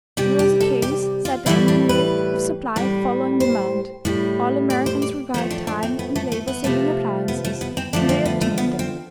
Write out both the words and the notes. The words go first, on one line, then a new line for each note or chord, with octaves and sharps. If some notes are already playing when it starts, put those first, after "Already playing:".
It was a case, said the engineer, of supply following demand; all Americans required time--and labor-saving appliances, and they obtained them.
C3 G3 G4
G4
A4
G4
F4
A2 E3 G3 E4
D4
B4
A2 G3
C5
A2 G3
D5
C5
D5
A2 F3 A3 C5
D4
D4
C4
B3
A3
A3
B3
C3 F3 A3
B3
A3
B3
C4
D3 F3 A3 D4
C4
B3
A3
B3
C4